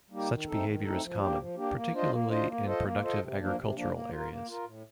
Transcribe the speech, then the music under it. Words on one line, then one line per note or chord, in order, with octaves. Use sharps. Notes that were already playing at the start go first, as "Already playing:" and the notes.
Such behaviour is common, particularly in productive agricultural areas.
G3 A#3 D#4 G4
D#3
A3 C4 D#4 A4
D#3
A3 C4 D#4 A4
F3
A#3 D4 G4
F3
A#3 D4 G4
A#3
D4 F4 C5 D#5
A#3
D4 F4 C5 D#5
A#3
F4 A4 C5 D#5
A#3
F4 A4 C5 D#5
C3
F3 A#3 D4
C3
F3 A#3 D4
A#3
F4 A#4
A#3
F4 A#4
A2